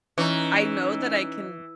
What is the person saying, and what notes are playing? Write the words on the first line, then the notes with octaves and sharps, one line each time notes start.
I know that I can
E3 C#4 D#4